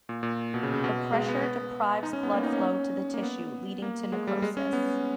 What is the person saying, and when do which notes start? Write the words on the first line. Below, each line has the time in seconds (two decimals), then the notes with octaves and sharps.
The pressure deprives blood flow to the tissue, leading to necrosis.
0.09 A#2
0.23 A#2
0.54 B2
0.63 C#3
0.74 C#3
0.84 B2
1.12 G#3
1.28 B3
1.42 B3
2.03 D#4
2.13 C#4
2.23 B3
2.33 A#3
2.43 D#4
2.53 C#4
3.14 A#3
3.23 B3
3.82 A#3
4.12 G#3
4.27 G3
4.42 G#3
4.57 C#4
4.73 B3